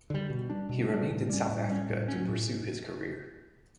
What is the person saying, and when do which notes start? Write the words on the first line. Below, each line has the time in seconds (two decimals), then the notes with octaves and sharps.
He remained in South Africa to pursue his career.
0.10 D3 G3
0.30 B2
0.50 G3 D4
0.69 B2
0.89 G3 D4
1.10 A2
1.29 G3 C#4
1.49 A2
1.68 G3 C#4
1.89 A2
2.08 F#3 C#4
2.28 A2